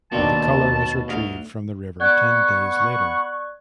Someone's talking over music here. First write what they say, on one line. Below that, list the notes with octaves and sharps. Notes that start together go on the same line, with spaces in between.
The Colour was retrieved from the river ten days later.
D#2 B2 A#3 C4 D4 A5
D2 F5
B3 D5 F#5 C#6 F#6 G#6